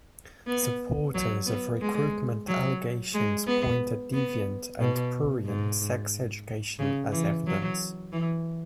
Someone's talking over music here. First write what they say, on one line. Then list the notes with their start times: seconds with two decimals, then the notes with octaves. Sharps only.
Supporters of recruitment allegations point at "deviant" and "prurient" sex education as evidence.
0.47 B3
1.14 F#3
1.47 B3
1.81 G#3
2.48 F#3
3.14 G#3
3.47 B3
4.13 B3
4.80 B2
5.46 G#2
6.79 C#3
7.12 E3
7.47 F#3
8.13 E3